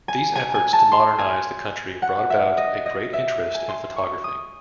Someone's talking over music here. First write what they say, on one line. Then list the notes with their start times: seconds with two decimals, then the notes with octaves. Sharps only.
These efforts to modernize the country brought about a great interest in photography.
0.08 G#5
0.36 G#5
0.55 G#5
0.73 A5
0.92 C6
1.19 G#5
2.02 F#5
2.30 E5
2.58 D#5
2.86 D#5
3.13 E5
3.55 G#5
3.69 C6
3.96 C#6
4.24 D#6